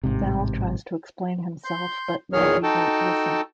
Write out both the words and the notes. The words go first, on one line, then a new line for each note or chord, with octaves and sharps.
Val tries to explain himself but Maggie won't listen.
A1 G#2 C3
C6 G6
E2 A#2 D#3 G#4 C#5 F6
D#4 F#4 A4 G5 A5